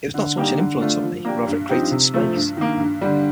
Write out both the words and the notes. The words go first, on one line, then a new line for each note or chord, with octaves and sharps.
It was not so much an influence on me, rather it created space.
D3
G3 A#3 D#4 G4
D3
A3 D4 F4
F3
A#3 D4 G4
G2
F3 C4 D#4 G4
C3
F3 A3
G2
D#3 A#3
G2
D3 G3